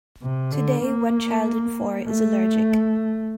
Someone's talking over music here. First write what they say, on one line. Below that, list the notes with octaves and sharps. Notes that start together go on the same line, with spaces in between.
Today one child in four is allergic.
C3
D3
A#3
A3